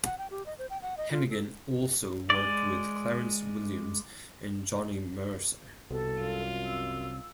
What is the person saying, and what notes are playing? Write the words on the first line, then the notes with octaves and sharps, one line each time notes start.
Hanighen also worked with Clarence Williams and Johnny Mercer.
F#5
G5
G4
D#5
C5
G5
F#5
D#5
F4
A4
G#3 D5
C2 B2 A4
F#2 F4
E6